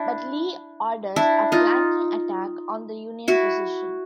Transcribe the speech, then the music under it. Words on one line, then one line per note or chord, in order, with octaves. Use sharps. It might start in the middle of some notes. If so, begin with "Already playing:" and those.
But Lee orders a flanking attack on the Union position.
Already playing: D4 E4
D4 E4
D#4 F4
E4 F#4